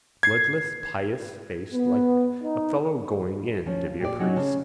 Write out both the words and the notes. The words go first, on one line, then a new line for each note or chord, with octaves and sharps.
Bloodless pious face like a fellow going in to be a priest.
G#6 C7
B3
D#4
F3 C#4
F4
A#2 G4 D5
F#3 C#4 D#4 F#4
C#3 A5